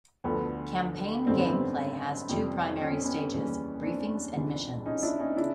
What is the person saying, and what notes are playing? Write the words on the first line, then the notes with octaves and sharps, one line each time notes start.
Campaign gameplay has two primary stages, briefings and missions.
D2 D3 F3 B3
G#1 F#2 D3 G3 C4
B3
C4
F2 C3 E3 G3
C#4
C4
B3 C#4
D#2 C#3 E3 G3
C4 D4
C#2 C3 E3
C#4 D#4
D4 E4
C#4 D#4
C#3 D4 E4